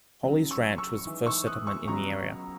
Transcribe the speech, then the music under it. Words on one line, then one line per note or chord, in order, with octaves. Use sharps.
Holly's ranch was the first settlement in the area.
C#2 C#3 F#3
C#6 E6
C#6 E6
G#2 E3
C#6 E6
D#6 F#6
C#6 E6
C#2 B2 F#3 A#5 C#6